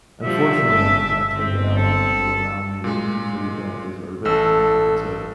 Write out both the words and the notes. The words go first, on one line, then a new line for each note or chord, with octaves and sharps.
unfortunately, I I take it out on people around me that usually don't deserve it. Like, if it's a
D3 F3 G3 E5
G1 C#3 A4
G1 C4
A4
A#2 G#3
A1 A4 E6